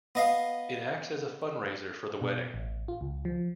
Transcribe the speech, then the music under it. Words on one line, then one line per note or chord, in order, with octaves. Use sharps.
It acts as a fundraiser for the wedding.
B3 D#5 F5
B2
A1
F4
C#2
F3